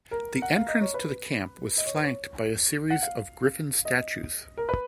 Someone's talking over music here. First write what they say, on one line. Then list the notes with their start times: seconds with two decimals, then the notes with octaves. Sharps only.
The entrance to the camp was flanked by a series of griffin statues.
0.11 A#4
0.42 F#5
0.56 F5
0.68 D#5
0.81 C#5
0.94 B4
1.78 D#5
1.86 C#5
1.95 B4
2.03 C#5
2.90 F#5
3.02 F5
3.85 D#5
4.57 A#4
4.69 B4